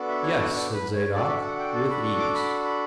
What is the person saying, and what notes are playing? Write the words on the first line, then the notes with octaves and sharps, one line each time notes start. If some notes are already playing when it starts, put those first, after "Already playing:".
"Yes," said Zadok, "with ease."
Already playing: B3 D4 F#4 A4
E5
C#5
D5
A4
B4
C#5
D4 F#4 A4 D5
E5
F#5
G5
A5
B5
C#6
D6
B5
B5